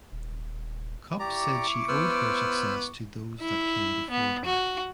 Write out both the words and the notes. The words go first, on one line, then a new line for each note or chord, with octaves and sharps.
Cupp said she owed her success to those that came before her.
D#1
E4 G4 D5 A#5 C#6 D6
B3 C5 E6 F6
E4
B3
F#4